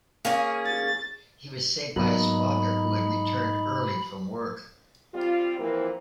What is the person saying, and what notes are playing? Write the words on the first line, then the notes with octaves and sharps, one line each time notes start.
He was saved by his father, who had returned early from work.
A#3 C#4 G#4
A6
G#2 F#3 A#3 B3 D#4 B5
G3 C4 F4
A#2 E3 F3 A#3 C4